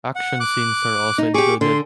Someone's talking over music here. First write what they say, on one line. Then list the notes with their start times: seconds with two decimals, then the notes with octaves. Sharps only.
Action scenes are also included.
0.16 F#5
0.40 D6 F#6
1.18 D#4
1.34 G4 G#4 C#6 D6
1.61 D3 C6